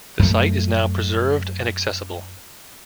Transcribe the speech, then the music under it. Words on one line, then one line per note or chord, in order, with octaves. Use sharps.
The site is now preserved and accessible.
F#2 F3 A3